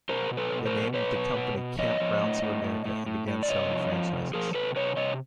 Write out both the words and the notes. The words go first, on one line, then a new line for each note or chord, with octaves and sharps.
They named the company Kampgrounds of America and began selling franchises.
B2 A#4 C5
B2
A4 B4
B2
A#4 C5
B2
B2 B4 C#5
B2
B2
B2
F3 C#5 D#5
F3
A2
A2
A2
A2
A2
A2
D5
C3 C#5 D#5
F3
F3
C3
F3 G#4 A#4
C3 A4 B4
C3 B4 C#5
C3 C#5 D#5